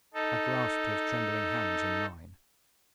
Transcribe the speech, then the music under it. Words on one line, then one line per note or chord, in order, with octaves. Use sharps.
I grasped his trembling hands in mine.
D#4 A4